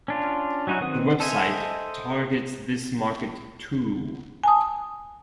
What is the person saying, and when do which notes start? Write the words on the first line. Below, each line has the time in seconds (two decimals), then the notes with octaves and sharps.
The website targets this market too.
0.08 C#4 D4 F4
0.67 F#3 C#4 D#4 E4 F#4
0.81 D#3 C4 B4 D#6
1.20 A4 C5 D#5 E5 G#5
4.44 G#5 A5 D#6